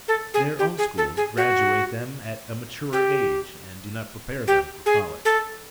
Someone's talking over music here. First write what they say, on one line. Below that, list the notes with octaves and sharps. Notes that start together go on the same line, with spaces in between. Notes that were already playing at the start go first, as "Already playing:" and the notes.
Their own schools graduate them at a mature age and do not prepare them for college.
A4
G#4
G4
G#4
A4
G#4
F#4
G4
G4
G#4
A4